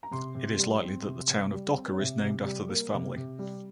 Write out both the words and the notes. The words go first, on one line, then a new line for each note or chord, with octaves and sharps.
It is likely the town of Docker is named after this family.
A#5
C3 C6
C3
G3
C4
C3
C3
G3
C4
C#5
C3 E5
C3
G3
A#3
C3
C3
G3